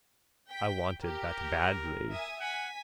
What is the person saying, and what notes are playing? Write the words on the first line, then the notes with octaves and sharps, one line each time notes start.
I wanted that badly.
G5 B6
G4 A#4
E5 G#5 D#6
F#5 G#5 B6